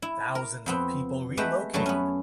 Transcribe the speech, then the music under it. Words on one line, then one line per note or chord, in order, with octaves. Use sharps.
Thousands of people relocated.
E4
A#4
F2 B3 C4
G#3 A3 G4 B4 E5 F#5
F#2 F#3 G3 A3 A5
B3 C#4